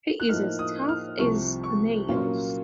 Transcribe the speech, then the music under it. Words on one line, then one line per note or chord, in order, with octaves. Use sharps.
He is as tough as nails.
F#6
A2 F3 A#3 D#4 F6
D#6
F6
C2 C3 F3 C#6
C#6
A#2 F#3 A#3 C#4 F4